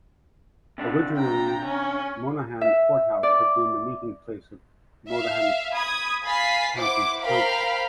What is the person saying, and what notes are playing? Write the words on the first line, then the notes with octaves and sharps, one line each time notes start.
Originally Monaghan Courthouse had been the meeting place of Monaghan County Council.
C3 D4
G5 A#5
C#4
E5
D5
E5 F5
B5 D#6 G#6
F5 G#5 B5 A6 B6 C7
E4 C5 F#5 D6
A#4 C5 F5 G5 A#5 B5